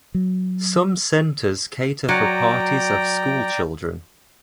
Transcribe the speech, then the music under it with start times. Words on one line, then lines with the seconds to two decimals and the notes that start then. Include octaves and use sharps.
Some centres cater for parties of school children.
0.14 F#3
2.09 F#3 D5 G5 A#5